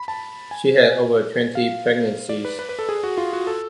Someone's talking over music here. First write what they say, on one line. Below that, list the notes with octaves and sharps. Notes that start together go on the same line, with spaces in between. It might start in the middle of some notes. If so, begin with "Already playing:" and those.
She had over twenty pregnancies.
Already playing: B5
A5
G#5
F5
D5
B4
B4
B4
A4
G#4
F#4
F4
F#4
A4